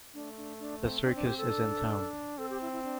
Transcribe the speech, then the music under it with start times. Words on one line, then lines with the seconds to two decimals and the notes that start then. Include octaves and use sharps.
The circus is in town!.
0.14 A3 D4
0.37 D4
0.60 D4
0.82 C4
1.04 C4 D4
1.15 D4
1.26 G4
1.38 A4
1.49 D4
2.38 C4 A4
2.50 G4
2.61 E4
2.72 E4
2.84 D4